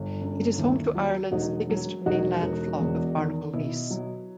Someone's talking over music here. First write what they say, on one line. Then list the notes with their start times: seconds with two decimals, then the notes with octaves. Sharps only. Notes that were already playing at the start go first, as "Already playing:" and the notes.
It is home to Ireland’s biggest mainland flock of barnacle geese.
Already playing: G1
0.21 F#2
0.58 D#2 E4
0.95 F#3
1.32 E1 D#4 F#4
1.70 F#3
2.06 E1 D#4 F#4
2.42 E1
2.80 E2
3.17 D#3
3.53 B2 E4
3.90 F#3